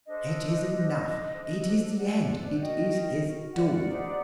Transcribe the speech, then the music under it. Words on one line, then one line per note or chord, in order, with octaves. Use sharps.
'It is enough!--it is the end!--it is his doom!
D4 A4 C5 D#5
D4 A4 C5
D4 A4 C5
D4 A4 C5 D5 F#5
F#4 A#4 D#5 G5
F#4 A#4
D5 F#5
D#4 G4 C5